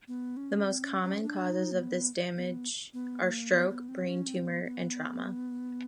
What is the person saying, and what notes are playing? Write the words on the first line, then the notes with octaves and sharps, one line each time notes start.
The most common causes of this damage are stroke, brain tumor, and trauma.
B3
C#4
C4
C#4
C#4
D4
D#4
A#3
B3
B3
B3
A#3
B3
B3
C4
C#4
C4
B3
B3